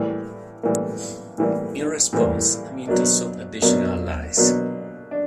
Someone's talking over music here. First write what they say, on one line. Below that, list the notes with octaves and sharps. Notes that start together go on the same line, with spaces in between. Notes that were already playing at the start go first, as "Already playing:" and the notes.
In response, Amyntas sought additional allies.
Already playing: A2 E3 G3 A#3
A2 E3 G3 A#3
A2 E3 G3 A#3
A2 E3 G3 A#3
B2 F#3 A#3 D4
B2 F#3 A#3 D4
B2 F#3 A#3 D4
D4